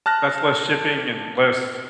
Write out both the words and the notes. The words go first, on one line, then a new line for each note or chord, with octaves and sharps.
that's less shipping and less,
A5 F6 F#6 A#6